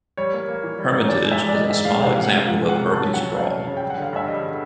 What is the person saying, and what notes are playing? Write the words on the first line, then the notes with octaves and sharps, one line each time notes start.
Hermitage is a small example of urban sprawl.
G3 C#5
A#3
A#3
E3
G3
G#2
C#5
E3 D5
G#3
E5
G#3
D5
E3 D#5
G#2 E5
G#2 F5
C3 F5
F#5
C3 F5
F#5
G#3
F3 F5
G#3
F#5
C3
C#3 A5
F#2
F#5
F#3
F#2 F5
F#2
C#3
G5
G3
F#5
D3 F5
G2 E5
G3 D#5
D3